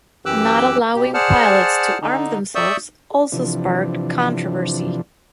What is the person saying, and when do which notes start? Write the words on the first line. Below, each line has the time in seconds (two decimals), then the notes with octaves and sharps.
Not allowing pilots to arm themselves also sparked controversy.
0.26 F#2 E3 G4 D6 E6 F#6
0.95 B2 G4
1.14 G#4 C5 D5 F#5 A5 F6
2.02 D3 D#4
2.55 D5 E5 C#6 D#6 E6 G6
3.32 C3 E3 F3 D4